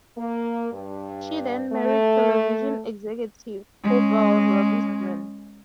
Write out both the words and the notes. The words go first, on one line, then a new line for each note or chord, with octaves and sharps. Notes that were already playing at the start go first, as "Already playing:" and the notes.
She then married television executive Hubbell Robinson.
A#3
G2
A3
G#3 C#4